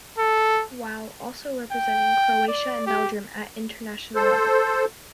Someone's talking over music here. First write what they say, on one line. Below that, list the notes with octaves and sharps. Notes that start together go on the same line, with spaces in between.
While also representing Croatia and Belgium at international level.
A4
G5
D5
G4
A4 C5